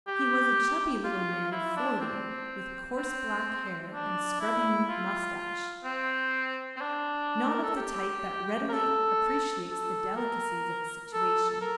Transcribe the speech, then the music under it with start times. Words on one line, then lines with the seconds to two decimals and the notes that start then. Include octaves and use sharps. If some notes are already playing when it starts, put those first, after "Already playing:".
He was a chubby little man of forty, with coarse black hair and scrubby moustache, not of the type that readily appreciates the delicacies of a situation.
0.08 G4
1.04 F4
1.52 E4
1.77 D4
2.00 C4
2.97 C4
3.93 D4
4.41 E4
4.89 F4
5.84 C4
6.76 C4
6.81 D4
7.49 A#4
7.63 A4
7.77 G4
8.69 A#4
8.73 A4
9.70 A4
10.17 A#4
11.13 A4
11.49 A4
11.61 A#4